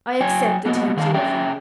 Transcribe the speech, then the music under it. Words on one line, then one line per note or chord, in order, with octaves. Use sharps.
I accept the terms you offer.
F#3 C#5 G5 G#5
F#3 A#3 B3 F#4 D#5
D#3 G#4 B4 D#5 F5 A5
C#4 G#4 C#5 E5 G5